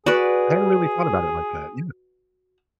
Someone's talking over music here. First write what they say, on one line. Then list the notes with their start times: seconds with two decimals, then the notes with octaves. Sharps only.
I hadn't really thought about it like that. Yeah.
0.06 F#4 G#4 B4 D5